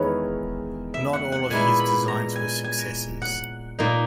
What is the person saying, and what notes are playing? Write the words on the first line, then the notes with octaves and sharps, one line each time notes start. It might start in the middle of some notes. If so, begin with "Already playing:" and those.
Not all of his designs were successes.
Already playing: E2 D#3 G#3 D#4 B4 C#5
E5
F#5
F#5
A#2 G#3 B3 E4 G#5
B5
A#5
G#5
G#5
F#5
A#2 A#3 D#4